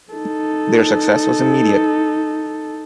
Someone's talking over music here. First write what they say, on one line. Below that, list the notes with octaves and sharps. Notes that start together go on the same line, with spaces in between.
Their success was immediate.
D#4 A4